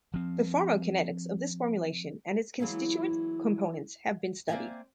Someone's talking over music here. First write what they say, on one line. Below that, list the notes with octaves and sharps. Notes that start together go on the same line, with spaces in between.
The pharmacokinetics of this formulation and its constituent components have been studied.
F3 C4
E3 F#3 G#3 A#3 B3
A#3 C4 D5 E5 G5 G#5